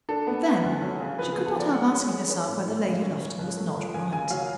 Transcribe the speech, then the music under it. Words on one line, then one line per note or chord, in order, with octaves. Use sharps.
But then she could not help asking herself whether Lady Lufton was not right.
D4 A4
B3
B3
D2
F#3
C#3
F3 B4
B3 G#4
A4
F3 D5
G#3 F#5
C#4
G#3
C#4
A2
A2
C#3
C#4
C#4
C#2
A3
C#2
C#2 G#5
C#3 G#5
F#3 F5